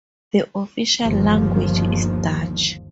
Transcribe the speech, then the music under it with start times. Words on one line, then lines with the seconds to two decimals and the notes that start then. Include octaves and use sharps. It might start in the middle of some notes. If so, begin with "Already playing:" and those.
The official language is Dutch.
1.01 G1 D#2 F3